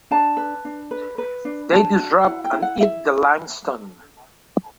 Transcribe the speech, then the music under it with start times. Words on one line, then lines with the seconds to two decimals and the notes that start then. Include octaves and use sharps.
They disrupt and eat the limestone.
0.11 D4 A5
0.37 B4
0.65 D4
0.91 B4
1.18 B4
1.45 D4
1.72 D4 A5
1.99 F#4
2.26 E4 F#5
2.44 G5
2.53 E4
2.62 F#5
2.80 E4 E5